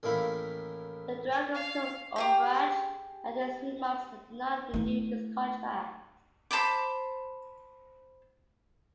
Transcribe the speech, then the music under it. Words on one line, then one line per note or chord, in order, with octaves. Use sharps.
The directors took umbrage at his remarks and did not renew his contract.
A1 A2 D#3 A#3 E4 B5
F5
G4 G#4 G5
A3 E4
C5 A5 B5 D6